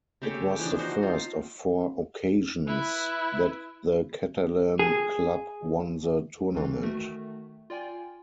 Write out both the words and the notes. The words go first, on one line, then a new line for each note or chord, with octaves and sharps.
It was the first of four occasions that the Catalan club won the tournament.
C#3 A3 G4 C#5
E3 F3 D4
D#4 F#4 C5
F4
E4 B4
G#4
D2 D#3 E3
D#3 A3 F#4
F4 D5 G5 G#5